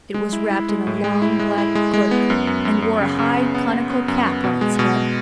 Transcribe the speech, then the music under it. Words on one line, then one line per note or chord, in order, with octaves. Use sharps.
It was wrapped in a long black cloak, and wore a high conical cap on its head.
G#3
E4
E4
G#3
A2
G#3
E4
G#3
E4
G#3
G#3
B3
F#2
F#2
F#2
F#2
C#3
C#3
B3
B3
B3
B3
F#2
B3
B2
G#3
B2